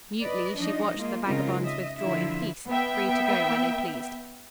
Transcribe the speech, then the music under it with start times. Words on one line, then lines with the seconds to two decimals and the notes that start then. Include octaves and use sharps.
Mutely she watched the vagabonds withdraw in peace, free to go where they pleased.
0.21 B4 D5 D#5
0.57 F3 D4 D#4 D#5
0.95 G#3 A#3 F4
1.25 C#3 G#3 C4 D#4 F4 A#4
1.64 D#5 E5
1.97 D3 F3 E4 F4 E5
2.69 B3 E5 G5